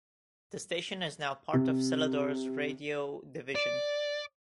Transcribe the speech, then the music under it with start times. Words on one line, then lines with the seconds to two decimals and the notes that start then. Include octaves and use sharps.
The station is now part of Celador's radio division.
1.53 C3
3.55 D5